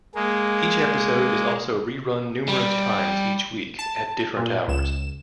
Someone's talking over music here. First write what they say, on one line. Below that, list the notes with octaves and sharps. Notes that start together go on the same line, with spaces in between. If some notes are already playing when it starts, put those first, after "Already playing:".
Each episode is also re-run numerous times each week at different hours.
G#3 A#3
G3
A5
A#2
C#2 E7